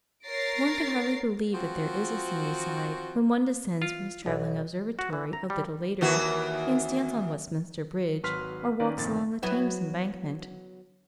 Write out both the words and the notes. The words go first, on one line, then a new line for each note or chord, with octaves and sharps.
One can hardly believe that there is a seamy side when one descends from his travelling observatory a little later, and stands on Westminster Bridge, or walks along the Thames Embankment.
A#4 C#5 A6 A#6 C7 D7
F3 C4 F#4
F4
B1
F#4
E3
A#5
G3
D#2 E3 F#4
G#1 F#3 B4 C6 F6 B6
D#3 C#4 D#4 A#4 B4 D5
G1 F2 A#2 D#3 A6
F#3 B3 E4